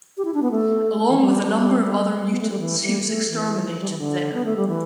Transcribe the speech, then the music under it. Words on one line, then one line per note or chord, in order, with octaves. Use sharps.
Along with a number of other mutants, he was exterminated there.
G4
E4
D4
B3
A3
E3
G3
B3
A3
G3
E3
G3
A3
E3
G3
E3
D3
B3
A3
G3
E3